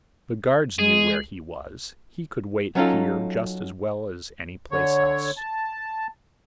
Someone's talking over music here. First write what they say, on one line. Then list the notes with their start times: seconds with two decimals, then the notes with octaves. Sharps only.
The guards knew where he was--he could wait here just as well as any place else.
0.79 G#3 G#4
2.75 F#3 B3 C#4 D#4 F4 A4
4.71 D3 C#5
5.37 A5